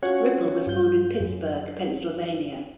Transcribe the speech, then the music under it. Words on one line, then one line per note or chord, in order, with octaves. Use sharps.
Ripple was born in Pittsburgh, Pennsylvania.
C#4 F4 F#4 C#5 F#5
G2 F4 G6
F#2